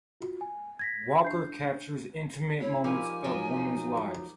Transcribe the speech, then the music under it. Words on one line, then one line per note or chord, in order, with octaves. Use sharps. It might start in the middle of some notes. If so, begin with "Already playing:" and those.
Walker captures intimate moments of women’s lives.
F4 F#4
G#5
G#6 A#6 B6
D4 G6 C7
E4 C#5
F3 G3 A#3 D#4 G4 G#5
F3 F#3 D#4